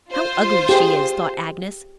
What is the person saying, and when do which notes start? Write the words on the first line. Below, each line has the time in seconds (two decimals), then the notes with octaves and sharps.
"How ugly she is!" thought Agnes.
0.11 F4 C5
0.69 G4 G#4